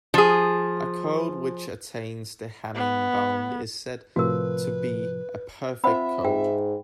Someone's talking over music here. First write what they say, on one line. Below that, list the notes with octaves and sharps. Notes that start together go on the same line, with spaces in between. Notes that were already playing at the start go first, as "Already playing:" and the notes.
A code which attains the Hamming bound is said to be a perfect code.
F3 G#4
B3
A2 C3 F3 F#4 A#4 B4
C4 F4 C5 E5 F#5 B5
G#2 G5